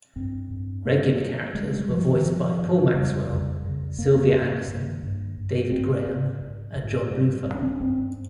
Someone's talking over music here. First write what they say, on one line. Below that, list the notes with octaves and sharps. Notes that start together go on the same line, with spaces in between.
Regular characters were voiced by Paul Maxwell, Sylvia Anderson, David Graham and John Bluthal.
G2 C4
G2
G2 A#3
G2
G2 G#3
G3
G2 F3
D#3
G2 F3
G2
F2 C#3 G3
F2 C#3
F2 C#3
F2 C#3 A#3
G2
G2
G2
G2
G#2 C4
G#2
G#2
G#2
G2
G2
C#4
C4
C#4
G2 C4